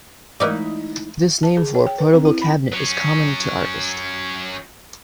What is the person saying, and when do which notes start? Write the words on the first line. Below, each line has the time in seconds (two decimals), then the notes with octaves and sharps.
This name for a portable cabinet is common to artists.
0.40 E3 G#3 A3 D#4 E4 A#4 D5 D6
1.43 A5
1.57 G#4
1.75 C#5
1.86 G5
1.98 B4
2.13 C4
2.25 E4
2.42 B5
2.72 F#3 C#4